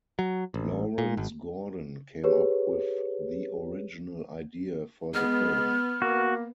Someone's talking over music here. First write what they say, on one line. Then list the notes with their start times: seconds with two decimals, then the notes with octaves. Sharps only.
Lawrence Gordon came up with the original idea for the film.
0.19 F#3
0.54 A1
0.98 A#2
1.17 G#1
2.24 G4 G#4 B4 C#5
5.14 G#3 B3 F6
6.02 A#3 F#4